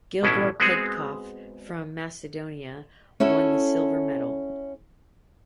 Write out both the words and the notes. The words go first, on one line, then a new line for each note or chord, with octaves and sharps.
Gligor Petkov from Macedonia won the silver medal.
A1 B2 C#4 D4 E4
G#3 B3 C4 F#4 G#4
C#4 E4 F#4 A4